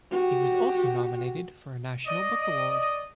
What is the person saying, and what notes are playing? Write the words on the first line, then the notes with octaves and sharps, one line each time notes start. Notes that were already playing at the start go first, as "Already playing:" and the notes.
It was also nominated for a National Book Award.
F#4 G4
D5 D#5